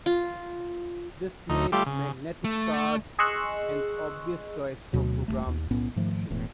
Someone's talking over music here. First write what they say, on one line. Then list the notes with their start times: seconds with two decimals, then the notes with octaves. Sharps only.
This made magnetic cards an obvious choice for program distribution.
0.06 F4
1.49 D2 D#4
1.72 G3 A3 F4 G4
1.86 C#3
2.44 A3
3.19 G#4 D#5 C6 C#6 E6 F#6
4.93 D2 B2 F#3
5.28 D#1 E2 A3
5.47 D#2
5.71 B1 A2 B3 C#4
5.96 G#2 D#3 F3 A3
6.30 E1 E2 A2